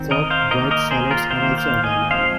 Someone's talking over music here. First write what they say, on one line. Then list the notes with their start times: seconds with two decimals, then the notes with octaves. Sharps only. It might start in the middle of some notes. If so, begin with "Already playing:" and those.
Chopped, dried shallots are also available.
Already playing: D#3 C4
0.11 A#4 D#5
0.30 C5 F5
0.51 D#3 A#3 A#4 D#5
0.71 A#4 D#5
0.91 G#4 C5
1.11 F4 A#4
1.30 D#3 A#3 C5 F5
1.58 C5 F5
1.84 D#5 G#5
2.11 F3 G#3 C4 C5 F5